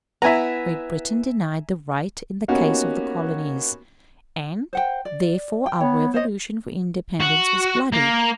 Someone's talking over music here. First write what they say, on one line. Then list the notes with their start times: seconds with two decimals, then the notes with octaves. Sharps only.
Great Britain denied the right in the case of the colonies, and therefore our revolution for independence was bloody.
0.22 B3 E4 E5 G#5 A#5
2.48 A#3 B3 C#4 D#4 F#4 G4
4.73 C5 F#5 G5
5.05 D5
5.66 G5
5.81 B3 C#5
6.14 C5 C#5 D#5
7.20 F#4
7.92 A#3